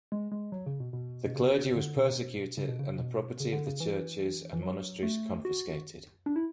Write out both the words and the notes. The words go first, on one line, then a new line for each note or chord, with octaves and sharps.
The clergy was persecuted and the property of the churches and monasteries confiscated.
G#3
G#3
F#3
C#3
B2
B2
B2
C#3
D3
B2
C#3
B2
C#3
B2
C#3
D3
C#3
E3
E3
F#3
A3
F#4
D4
E4